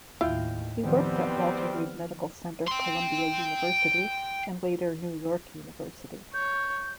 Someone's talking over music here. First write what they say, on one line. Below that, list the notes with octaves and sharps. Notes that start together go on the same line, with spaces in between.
He worked at Walter Reed Medical Center Columbia University and later New York University.
D#2 A2 E4 F4 D#5 F5 G5
E2 D#3 F3 G3 B3 C4
F6
G5 C6
C#5 G6